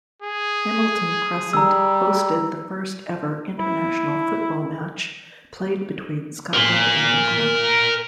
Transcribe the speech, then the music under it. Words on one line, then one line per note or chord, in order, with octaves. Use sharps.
Hamilton Crescent hosted the first ever international football match, played between Scotland and England.
G#4
G3 A#5 E6
E4
A#4 C6